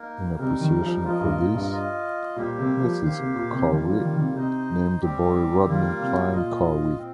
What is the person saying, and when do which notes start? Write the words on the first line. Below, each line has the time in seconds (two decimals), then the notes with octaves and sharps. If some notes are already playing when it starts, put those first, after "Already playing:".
In appreciation for this, Mrs. Carew named the boy Rodney Cline Carew.
Already playing: A#3 D#4 A#4
0.39 C3 G3 D#4 A#4
0.60 D#3
0.82 F3
1.04 F3 F4 A#4 D#5
1.21 G2
1.38 A#2
1.54 G2
1.71 F4 D#5
2.36 A#2 G3 A#3 G4 C5
2.59 C3
2.80 F3
3.02 D#3 A#3 G4 C5 F5
3.19 C3
3.35 A#2
3.52 C3
3.68 D#3 G3 A#3 F4
3.84 F3
4.01 D#3
4.13 D#3
4.18 C3
4.34 C3 D#4 C5 D#5
5.01 G3 C4 G4
5.66 D#3 G3 A#3 F4
6.00 C3
6.32 A#2 F4 D#5
6.98 C4